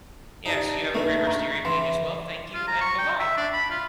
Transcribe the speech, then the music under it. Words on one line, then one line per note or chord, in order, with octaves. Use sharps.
Yes. You have a great rest of your evening as well. Thank you, and buh-bye!
D#4 G4 D5 A5
A#1 A3 D#4 B4
A#5 C#6
E3 C6
F4
A#5
C#6
G5
E5
D4
B5
F4